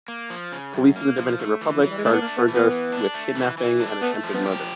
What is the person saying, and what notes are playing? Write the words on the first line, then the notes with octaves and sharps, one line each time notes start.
Police in the Dominican Republic charged Burgos with kidnapping and attempted murder.
A#3
F3
C#3
F#2
A#3
F3
A3
E3
F3
E3 F#3
G3
G#3
A3 D4
B3
A#3
A3
B3
E3
B3
E3
D4
A3
E3
E3
D4
A3 B3
F3
B3
G4